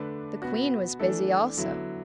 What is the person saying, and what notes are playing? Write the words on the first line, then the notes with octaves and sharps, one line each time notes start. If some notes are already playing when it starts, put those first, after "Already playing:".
The Queen was busy also.
Already playing: D3 A3 D4 B4
B2 B3 F#4
E3 A3 D4 A4
D3 F#3 B3 E4